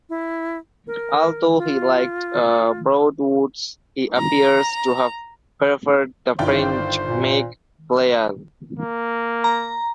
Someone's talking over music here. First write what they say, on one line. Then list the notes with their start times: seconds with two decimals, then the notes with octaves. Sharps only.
Although he liked Broadwoods, he appears to have preferred the French make Pleyel.
0.10 E4
0.87 A#4
1.58 F4
4.18 A#5
6.39 G1 D#3 E4 F4 C5 D5 G5
7.04 A#2
8.79 A#3
9.44 A#5